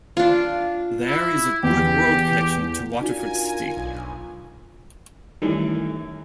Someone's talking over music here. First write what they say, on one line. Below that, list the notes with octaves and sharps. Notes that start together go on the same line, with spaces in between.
There is a good road connection to Waterford City.
D4 F4
E4
E2 G4
D4 D#4 F4 F#4 A#4 G#5
B1
F#2 D#3 E3 G3 A3